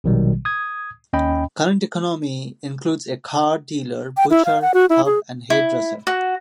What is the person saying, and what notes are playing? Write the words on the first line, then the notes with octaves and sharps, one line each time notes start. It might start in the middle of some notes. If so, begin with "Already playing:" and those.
Current economy includes a car dealer, butcher, pub and hairdresser.
A#1 B2 D#3 F#3 G3
D#6 G#6
D#2 C#4 D#5 G5 B5
G5
E4
F5
F#5
F#4
E4
G#4
E4
F#4